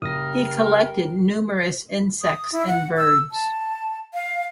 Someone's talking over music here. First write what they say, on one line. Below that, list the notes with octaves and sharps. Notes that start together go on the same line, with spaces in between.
He collected numerous insects and birds.
F#1 G3 A#4 D#6 F6 A#6
D#6
E4
F#5
E6
A5
F5